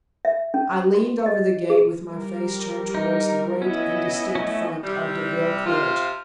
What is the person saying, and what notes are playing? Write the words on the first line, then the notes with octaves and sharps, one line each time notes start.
I leaned over the gate with my face turned towards the great indistinct front of Deville Court.
E5
C#4
F#4
D#5
G#4
G3 A#4
D#4
B3 C#4 E4 D#5
A3 C#4
C3 G3
C3 F3 F4